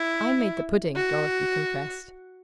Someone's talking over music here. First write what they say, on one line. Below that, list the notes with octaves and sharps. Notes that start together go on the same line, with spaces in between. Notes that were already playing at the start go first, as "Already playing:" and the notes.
"I made the pudding," Dorothy confessed.
Already playing: E4
F#4